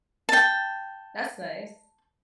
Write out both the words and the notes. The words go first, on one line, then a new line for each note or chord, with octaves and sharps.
That's nice.
G5 A5